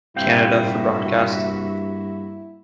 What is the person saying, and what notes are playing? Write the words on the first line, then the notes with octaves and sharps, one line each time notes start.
Canada for broadcast.
G2 C3 A#3 E4 F#4 E5 F5 G5